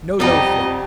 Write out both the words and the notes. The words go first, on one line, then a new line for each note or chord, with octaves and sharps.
No loafing!
C2 F2 G3 C4 D#4 G4 D#5